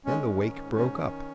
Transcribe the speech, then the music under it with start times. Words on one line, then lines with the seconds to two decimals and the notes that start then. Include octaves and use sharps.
Then the wake broke up.
0.06 G#3 C#4
0.24 D#3
0.41 G#2
0.57 G#2
0.75 D#3 C#4
0.93 D#3